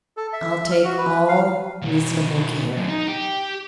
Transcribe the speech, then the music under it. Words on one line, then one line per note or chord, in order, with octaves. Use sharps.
"I'll take all reasonable care."
A4
E5
E5
F6
F#4
B4
F5
B2 D#3
F#2
D#4
G4